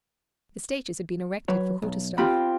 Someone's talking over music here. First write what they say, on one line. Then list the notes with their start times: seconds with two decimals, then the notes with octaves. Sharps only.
The stages had been erected for quarter-staff.
1.48 F#3 B4 C#5
1.82 B1
2.18 C4 F4 G4 B5